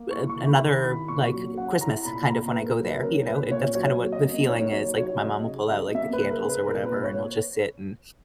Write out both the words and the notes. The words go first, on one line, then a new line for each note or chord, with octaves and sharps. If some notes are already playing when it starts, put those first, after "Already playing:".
a another, like, Christmas kind of when I go there, you know? It that's kind of what the feeling is. Like, my mom will pull out like the candles or whatever and I'll just sit and
Already playing: A#3
E4 C#6
C#6
D#3
B5
D#3
B5
E4 B5
A#2 C#6
F#3
C#4 F#5
E4 A#5
A#2 B5
A#2 A#5
B4
A#2
A#4
F#3
B4
C#4 A#4
A#2 B4
A#2 C#5
F#3 C#5
F#3
D#5
A#3
D#4 C#5
F#3 C#5
F#3 C#5
C#3 D#5
C#3
F#3 D#5
A#3 E5
B4
C#3
A#4
C#3
B4
A#2 A#4
B4
A#2
C#5